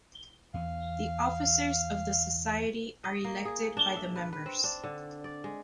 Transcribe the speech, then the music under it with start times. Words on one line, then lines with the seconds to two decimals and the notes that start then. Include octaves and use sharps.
The officers of the Society are elected by the members.
0.54 E2 B3 F5
3.04 D#5
3.25 A#3
3.45 G#4
3.77 D4
3.96 E5
4.16 B4
4.33 B4
4.46 C4
4.64 D4
4.84 D3
5.24 D5
5.44 G#3